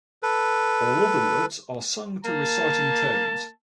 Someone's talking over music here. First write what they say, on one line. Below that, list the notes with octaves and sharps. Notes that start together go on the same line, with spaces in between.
All other words are sung to reciting tones.
A4 B4
A#3 A5